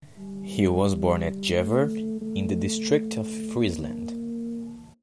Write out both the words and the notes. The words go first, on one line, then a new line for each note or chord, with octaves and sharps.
He was born at Jever in the District of Friesland.
G3
A3
A3
A#3